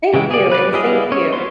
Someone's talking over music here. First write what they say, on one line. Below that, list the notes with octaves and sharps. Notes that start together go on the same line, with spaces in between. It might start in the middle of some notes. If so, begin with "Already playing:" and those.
Thank you, and same to you.
C#3 E3 G#3 G5
G#4 D5
B4 D5
G3 E4 G#4 D#5 F5
C#4 C#5
B3 C6